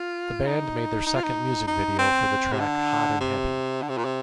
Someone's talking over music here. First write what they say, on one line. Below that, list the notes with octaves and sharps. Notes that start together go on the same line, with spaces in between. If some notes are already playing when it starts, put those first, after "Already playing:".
The band made their second music video for the track "Hot and Heavy".
Already playing: F4
D#4
D#4
F4
D#4
D#4
C4
C3
D3
C3
D3
C3
A#2
C3